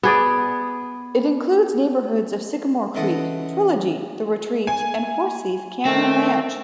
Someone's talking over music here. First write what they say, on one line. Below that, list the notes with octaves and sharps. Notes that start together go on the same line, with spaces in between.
It includes the neighborhoods of Sycamore Creek, Trilogy, The Retreat and Horsethief Canyon Ranch.
B3 G#4 D5
C#3 E3 A4 D#5 F#5
G#5
D#3 A3 C4